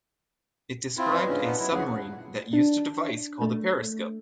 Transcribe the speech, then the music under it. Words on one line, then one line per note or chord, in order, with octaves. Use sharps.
It described a submarine that used a device called a periscope.
C4 E4 F4
B4 D5 D#5
G#2 C#3 C#4 D4 F4
B3 D#4
F#3 E4
D2 C#4 E4 G#4 F#5
D4
A3